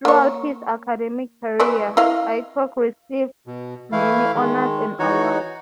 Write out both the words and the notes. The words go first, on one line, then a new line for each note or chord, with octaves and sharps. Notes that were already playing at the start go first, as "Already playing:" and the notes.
Throughout his academic career, Aycock received many honors and awards.
A#3 C#5
E3 E4 D5
E4 D#5 F5
B2
E3 A3 E4 F5
D#3 G#3
E3 D#4 F#4 C#5